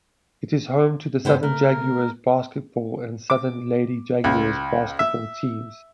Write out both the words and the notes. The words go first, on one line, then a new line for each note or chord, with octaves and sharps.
It is home to the Southern Jaguars basketball and Southern Lady Jaguars basketball teams.
G2 C#3 B3 C5
A3 A#4
D6
C#2
E5